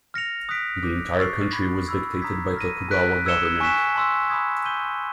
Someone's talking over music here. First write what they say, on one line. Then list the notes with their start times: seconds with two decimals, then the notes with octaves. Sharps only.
The entire country was dictated by Tokugawa government.
0.14 F6 A#6 C#7 F7
0.49 D#6 F#6 B6 D7
0.83 D6 G6 B6
1.18 C#6 F#6 A6 C7
1.53 B5 D6 F#6 A6
1.87 B5 E6 G#6
2.22 A#5 D#6 G#6 B6
2.57 F6 A#6 D#7
2.91 F#6 B6 D7
3.26 E6 G#6 C#7 E7 G7
3.60 G#5 C#6 F#6 B6 E7
3.95 A5 C6 E6
4.30 B5 D#6 G#6
4.65 G6 B6 D#7 G7